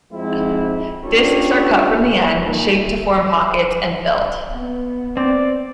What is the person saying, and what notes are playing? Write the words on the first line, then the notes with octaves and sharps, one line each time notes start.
Disks are cut from the end, shaped to form pockets, and filled.
F2 G#2 G#3 C4 E4
C#4 D4 F4 G4 A4 C#5
A#2 D#3 A3
B3
C4 D5